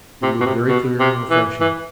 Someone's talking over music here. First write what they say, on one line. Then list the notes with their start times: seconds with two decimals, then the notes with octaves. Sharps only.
It looked very clear and refreshing.
0.23 C3
0.41 B2
0.46 C3
0.69 B2
0.99 C3
1.30 E3
1.61 E3